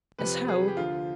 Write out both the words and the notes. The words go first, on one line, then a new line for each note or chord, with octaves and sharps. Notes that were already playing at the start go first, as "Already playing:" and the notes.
"As how?"
F2 C3 F3 B4
G#4
G4
D2 D3 F3 F4